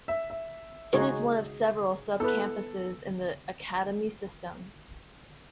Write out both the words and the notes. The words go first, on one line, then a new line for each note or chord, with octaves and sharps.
It is one of several sub-campuses in the Academy system.
E5
E5
C#3 G#3 D#4 F#4 G#4 C#5
B3 E4 A4 B4